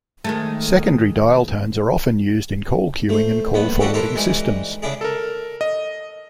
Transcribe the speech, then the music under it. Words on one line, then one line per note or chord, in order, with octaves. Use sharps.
Secondary dial tones are often used in call queuing and call forwarding systems.
D#3 G#3 A3
A3 C5
A#1 G2 B3 B5
D3 G3 D4 F#4 G4 A4
E4 G4 A4 A#4 C5
E3 G3 G#3 D#4
C#3 D4 E4 G#4
A4 A#4
D#5